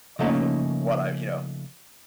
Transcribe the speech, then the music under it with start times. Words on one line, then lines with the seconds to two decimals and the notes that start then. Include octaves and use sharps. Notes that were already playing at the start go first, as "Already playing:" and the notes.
Off of what I you know,
0.19 C#3 F3 A3 A#3 C#4 D#4